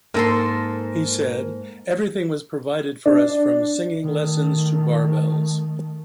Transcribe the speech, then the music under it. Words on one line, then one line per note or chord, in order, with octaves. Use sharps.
He said: Everything was provided for us, from singing lessons to barbells.
G#2 A#3 A4 A#4 C6
D4
D#3 A3